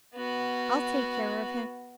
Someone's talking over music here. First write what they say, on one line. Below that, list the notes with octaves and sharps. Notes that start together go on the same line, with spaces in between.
'I'll take care of him.
B3 F#4